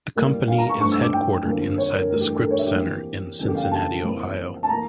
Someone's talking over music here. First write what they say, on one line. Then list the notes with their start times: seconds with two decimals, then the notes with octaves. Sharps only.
The company is headquartered inside the Scripps Center in Cincinnati, Ohio.
0.15 A2 G3 A#3
0.48 F5
0.58 A#5
0.69 C#6
0.80 G2 F3 A3 C#6
0.92 E6
1.02 D6
1.13 G5
1.45 F2 D3 G3 A#3
1.78 C#5
1.94 A#4
2.10 G2 E3 A3 A#4
2.21 G4
2.32 A4
2.43 A#4
2.51 C#5
2.59 E5
2.66 G4
2.75 F2 E3 A#3
3.39 E2 C#3 G3 A#3 A4
3.48 G4
3.55 F5
3.63 G5
3.71 A5
4.04 F2 E3 G3 A#3
4.63 A5
4.69 E3 A#3 A#5